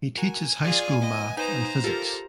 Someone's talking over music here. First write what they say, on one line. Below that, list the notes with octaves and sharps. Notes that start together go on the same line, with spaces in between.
He teaches high school math and physics.
F#4 A#4 G#5
F4 G#4 D5
B3 D#5
D#4 B4 C5 G#5 A#5
F4 G4 A4 A#4